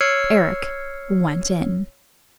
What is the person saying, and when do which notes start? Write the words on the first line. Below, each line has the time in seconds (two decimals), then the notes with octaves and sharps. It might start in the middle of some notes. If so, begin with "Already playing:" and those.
Eric went in.
0.01 C#5 E6 F6 G#6 C7 C#7